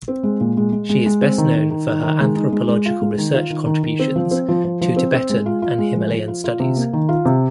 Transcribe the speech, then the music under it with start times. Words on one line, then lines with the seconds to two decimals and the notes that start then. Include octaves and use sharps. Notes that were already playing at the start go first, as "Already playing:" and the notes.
She is best known for her anthropological research contributions to Tibetan and Himalayan Studies.
0.08 C4
0.23 G#3
0.40 A#2
0.57 G#3
0.72 G#3
0.89 G#3
1.06 G#3
1.21 C4
1.38 D#3
1.55 D#3
1.71 D#3
1.88 D#3
2.03 D#3
2.20 G#3
2.36 D#4
2.52 G#3
2.68 G#3
2.86 F4
3.01 G#3
3.18 D#3
3.34 F4
3.50 D#3
3.66 D#3
3.83 D#3
3.99 C4
4.16 F3
4.31 C4
4.48 F3
4.65 F3
4.81 F3
4.96 C4
5.14 C4
5.30 G#3
5.46 F4
5.62 F4
5.78 G#3
5.94 F3
6.11 F3
6.28 F4
6.44 F4
6.60 C3
6.77 A#3
6.93 D#3
7.09 F4
7.25 C3